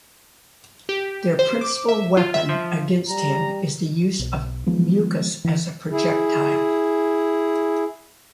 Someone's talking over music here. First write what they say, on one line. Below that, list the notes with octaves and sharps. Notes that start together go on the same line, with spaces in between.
Their principal weapon against him, is the use of mucus as a projectile.
G4
C5
D6
E5
F4
E5
F3
G3 A#5
B1
D#3 F3 G#3 B3
E3
E4 G#4